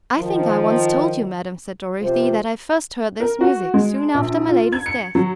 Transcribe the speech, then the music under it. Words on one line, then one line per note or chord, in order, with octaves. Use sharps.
'I think I once told you, madam,' said Dorothee, 'that I first heard this music, soon after my lady's death!
D#3 F3
C3 F3 F4 C5
A#4
F#4
G#3
A#1
F4
G#6
C#7
F#3